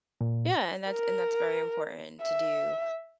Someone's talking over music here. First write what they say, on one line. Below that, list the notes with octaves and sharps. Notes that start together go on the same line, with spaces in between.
Yeah, and that's and that's very important to do.
A#2
A#4
E5